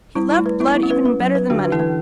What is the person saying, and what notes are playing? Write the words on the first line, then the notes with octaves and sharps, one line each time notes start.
He loved blood even better than money.
G3 E4
E4
A3
B4
B3 E4
E4
C#4
B4
B4
F#3
B4
D3 D4 F#4
B4
E3 E4
B4